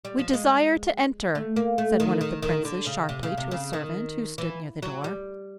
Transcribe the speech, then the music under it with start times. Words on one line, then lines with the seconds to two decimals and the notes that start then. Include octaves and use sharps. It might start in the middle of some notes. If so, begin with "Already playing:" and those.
'We desire to enter,' said one of the princes sharply to a servant who stood near the door.
0.05 G3
0.19 F3
0.33 G#3
1.35 A3
1.56 A#3
1.78 A3
2.00 D#3
2.21 D#3
2.42 D#3
2.65 D3
2.86 C#3
3.09 C3
3.23 C#3
3.38 C3
3.51 C#3
3.73 D#3
4.38 E3
4.82 F#3
5.04 G3